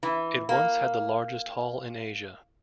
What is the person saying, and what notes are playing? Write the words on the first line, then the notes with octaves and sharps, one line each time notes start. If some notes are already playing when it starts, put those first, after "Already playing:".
It once had the largest hall in Asia.
E3
A#3